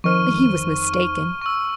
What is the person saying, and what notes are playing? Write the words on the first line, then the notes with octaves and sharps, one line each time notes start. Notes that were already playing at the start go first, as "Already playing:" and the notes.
But he was mistaken.
F2 D#3 C5 C#6 F6 D#7
C#6 E6